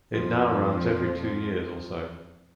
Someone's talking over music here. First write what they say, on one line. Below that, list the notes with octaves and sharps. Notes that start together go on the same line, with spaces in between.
It now runs once every two years or so.
F2 F3